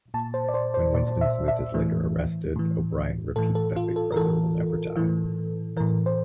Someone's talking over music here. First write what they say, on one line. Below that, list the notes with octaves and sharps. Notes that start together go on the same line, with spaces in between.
When Winston Smith is later arrested, O'Brien repeats that Big Brother will never die.
A#2 A5
C5
D5
C5
C5
A#2 D5
E5
E5
A2 E3
A2 E3
A2 E3 A4
A4
F4
A4
A#4
A2 E3 A4
A2 E3
A2 E3 A#4
C5